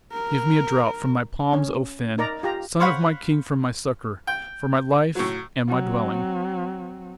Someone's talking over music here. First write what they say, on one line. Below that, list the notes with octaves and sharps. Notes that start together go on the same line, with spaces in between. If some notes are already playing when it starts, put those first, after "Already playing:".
Give me a draught from thy palms, O Finn, Son of my king for my succour, For my life and my dwelling.
A#4
C#4
D#4 A#4 D5 A#5
F4 G4 A#5
C5 C#5 F5 F#5 B5 C#6
G5
A2 F#3
F#3 C4